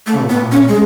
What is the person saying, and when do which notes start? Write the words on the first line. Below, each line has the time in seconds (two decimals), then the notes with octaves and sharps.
Oh, wow.
0.07 A3
0.30 B3
0.52 C#4
0.69 G#3